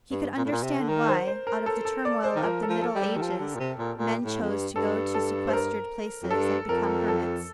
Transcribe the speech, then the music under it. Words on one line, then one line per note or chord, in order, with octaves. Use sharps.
He could understand why, out of the turmoil of the Middle Ages, men chose to go to sequestered places and become hermits.
G2
A#2
A2
A#2
C3
D3
D#3 A#4
C5
C5
A#4
A4
A4
D5
C5
D#3
F3 A#4
A4
F3
A4
G3
G4
D#3
F3
D3
A#2
C3
A#2
A#2
A2
F2
G2
G2 A4
A4
C5
A#4
F2
G2 A4
F2 A#4
A4